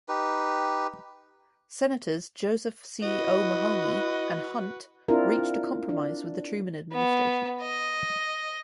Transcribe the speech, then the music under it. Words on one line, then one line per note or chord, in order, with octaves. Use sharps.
Senators, Joseph C. O'Mahoney and Hunt, reached a compromise with the Truman administration.
D#4 G4 B4
E4 F#4 B4 D#5
C4 D4 E4 F4 A#4
D4
B3
D#5